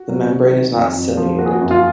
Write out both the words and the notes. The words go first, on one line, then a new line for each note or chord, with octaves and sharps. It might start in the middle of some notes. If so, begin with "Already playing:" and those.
The membrane is not ciliated.
Already playing: F#4
F#3
F#3
D#3
F2
F2
F3
A#3 F#4
G#4
F#4
F#2
F4